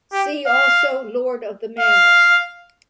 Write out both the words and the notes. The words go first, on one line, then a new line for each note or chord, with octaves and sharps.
See also Lord of the Manor.
G4
F5
F5